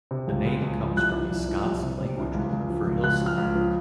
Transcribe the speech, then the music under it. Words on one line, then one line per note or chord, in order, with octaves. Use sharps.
The name comes from a Scots language word for hillside.
C3
C#2
C#2
C#2
F3
C2 F#6
F3
C2
F3
C2
C3
C3
C2
C#2
C#2
F3
C#2
C#2 F#6
F3 F6
C#2
F3